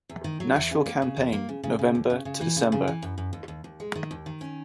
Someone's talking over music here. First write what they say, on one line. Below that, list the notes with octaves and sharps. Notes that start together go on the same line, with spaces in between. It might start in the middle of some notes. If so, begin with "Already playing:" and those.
Nashville Campaign November-December.
E2
D#3
F#3
E2
C#3
A#3
C#3
E2
A#3
C#3
C#3
C#3
D#2
C#3
C#3
E3
C#3
C#3
E3
F#2
F#2
D#2
D#2
D#2
G#3
D#3
D#2
D#3
C#4